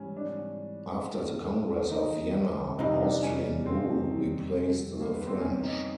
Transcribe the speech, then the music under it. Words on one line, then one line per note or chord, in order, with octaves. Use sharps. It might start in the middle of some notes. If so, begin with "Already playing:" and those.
After the Congress of Vienna, Austrian rule replaced the French.
Already playing: G#2 E3 G3 C4 C#4
D4
D#4
F2 C3 E3 G3 D#4
D4
C#4
C4
A#3
B3
C4
C#4
D#4